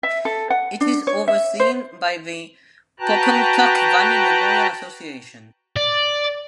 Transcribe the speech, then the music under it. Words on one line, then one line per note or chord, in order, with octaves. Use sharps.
It is overseen by the Pocumtuck Valley Memorial Association.
E5
A4
F#5
D4
C#5
E5
C5
F#4 B4 G5 A5 A#5 F#6
D5